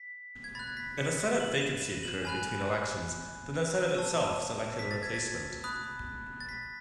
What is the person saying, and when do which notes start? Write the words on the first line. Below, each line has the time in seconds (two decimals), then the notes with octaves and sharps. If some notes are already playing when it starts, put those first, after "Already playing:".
If a Senate vacancy occurred between elections, then the Senate itself selected a replacement.
Already playing: B6
0.44 G#6
0.55 B5 F#6 A6
0.77 B6
0.98 C#7
1.40 F#7
1.56 D#7
1.61 E7
1.82 E7
2.03 F#7
2.25 G#5 B5 F#6
3.88 D#7
3.94 A5 C#6 E6 E7
4.79 B6
4.91 A6
5.03 G#6
5.14 A6
5.64 B5 D#6 F#6
6.41 A6
6.49 B6